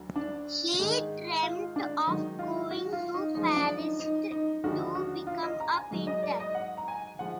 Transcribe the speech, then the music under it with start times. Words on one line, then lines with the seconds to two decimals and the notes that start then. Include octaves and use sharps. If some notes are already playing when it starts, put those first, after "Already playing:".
He dreamt of going to Paris to become a painter.
Already playing: D2 D3 F#3
0.16 D4
0.79 G#2 D#3 G#3
1.43 F4
1.76 D4
2.07 G#2 D#3 F#3 D#4
2.39 F4
2.71 F#4
2.93 F4
3.14 D#4
3.35 F#2 F3 G#3 D#4
3.57 D4
3.78 D#4
3.99 D#4
4.32 D#4
4.63 D#2 D3 F3 G#3 F#4
4.95 F#4
5.27 F4
5.43 D#5
5.60 A#5
5.76 G#5
5.91 G#2 F#3
6.07 D#5
6.23 D5
6.40 D#5
6.55 F#5
6.77 A#5
6.88 G#5
7.19 F3 G#3 F#5